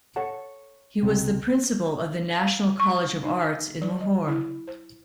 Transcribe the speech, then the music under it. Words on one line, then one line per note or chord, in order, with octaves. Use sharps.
He was the principal of the National College of Arts in Lahore.
A4 C#5 F#5 A5
C#2 C3
F5
C#6
D#4
F#3
D#5
E4
C5